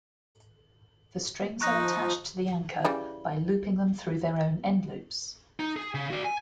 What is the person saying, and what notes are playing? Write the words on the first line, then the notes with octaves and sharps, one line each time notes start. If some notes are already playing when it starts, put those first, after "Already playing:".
The strings are attached to the anchor by looping them through their own end-loops.
F3 D#4 C#6 F#6 A#6
C#3 E3 G3
D#4
G#4
C#3
F#4 D5
G#5